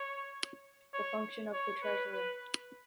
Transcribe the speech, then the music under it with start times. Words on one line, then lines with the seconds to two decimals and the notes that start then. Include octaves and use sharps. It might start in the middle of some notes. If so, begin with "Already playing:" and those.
The function of the treasurer.
Already playing: C#5
0.94 C#5
1.53 C#5
1.83 B4
2.13 B4